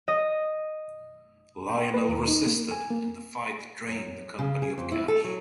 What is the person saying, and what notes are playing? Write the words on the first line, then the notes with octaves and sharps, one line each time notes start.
Lionel resisted and the fight drained the company of cash.
D#5
G5
B4
D#2
D#4
A#3
G#5
A#3
F#2
C#3
G#4
F2
E4
A4
F#3